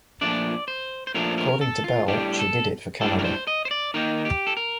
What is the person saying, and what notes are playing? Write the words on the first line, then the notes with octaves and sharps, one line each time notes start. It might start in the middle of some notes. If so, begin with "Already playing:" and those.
According to Bell, she did it for Canada.
A#2 F3 A3 D4 D5
C5
C5
A#2 F3 A3 D4 A#4
A#4
A4
F4
A2 G3 D4 G4
A4
A2 G3 D4 A4
A#4
C5
D#5
C5
D5
D#3 A#3 D#4 A#4
G4
A4
A#4